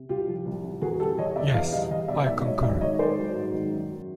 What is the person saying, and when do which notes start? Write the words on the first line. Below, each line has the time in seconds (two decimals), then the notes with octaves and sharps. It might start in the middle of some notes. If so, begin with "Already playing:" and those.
Yes, I concur.
Already playing: C3
0.09 C2 F4 G4
0.28 F3
0.46 C2
0.64 C3
0.82 E2 F#4 G#4
1.00 G3 G4 A4
1.18 E2 C#5 D#5
1.36 B2 D5 E5
1.54 E2 D#5 F5
1.72 G3 D#5 F5
1.91 E2 D#5 F5
2.08 B2 D5 E5
2.26 G#2 D5 E5
2.45 F#3 C#5 D#5
2.63 G#2 D5 E5
2.81 D#3 C#5 D#5
2.99 G#2 C5 D5
3.18 F#3
3.35 G#2
3.54 D#3
3.72 F#2
3.90 F#3